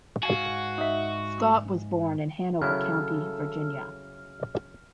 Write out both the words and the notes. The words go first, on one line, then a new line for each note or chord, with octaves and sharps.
Scott was born in Hanover County, Virginia.
G#2 F#4 F5 G#5
D#4 E5
C#3 F#3 E4 A4 F6